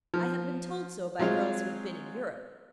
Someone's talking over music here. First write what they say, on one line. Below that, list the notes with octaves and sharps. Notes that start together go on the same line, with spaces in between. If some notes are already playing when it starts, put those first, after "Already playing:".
I have been told so by girls who have been in Europe.
F3
F#3 G#3 C4 F4